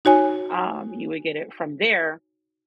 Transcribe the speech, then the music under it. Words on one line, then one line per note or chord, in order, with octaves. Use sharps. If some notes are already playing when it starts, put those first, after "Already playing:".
um, you would get it from there
D#4 F#4 C#5 G#5